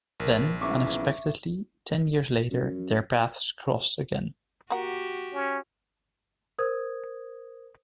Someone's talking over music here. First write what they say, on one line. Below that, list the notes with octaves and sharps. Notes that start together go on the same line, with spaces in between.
Then, unexpectedly, ten years later, their paths cross again.
A#1 A#4
B1 C#3 E3 E5 C#6 D6
F#2
A#3 F#4 G4 F#5
C#4
A#4 C5 D#6 G#6